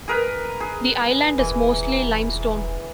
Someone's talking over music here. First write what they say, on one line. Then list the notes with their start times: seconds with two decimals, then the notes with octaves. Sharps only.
The island is mostly limestone.
0.08 G#4 A#4 B4
0.60 G#4
1.38 E1 E3